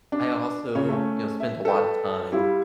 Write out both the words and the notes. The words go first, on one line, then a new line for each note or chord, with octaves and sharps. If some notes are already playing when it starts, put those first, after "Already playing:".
I also, you know, spent a lotta time,
D4
C#3 C#5
A3 C#4
E5
A4 B4 G5
G3 E4 F4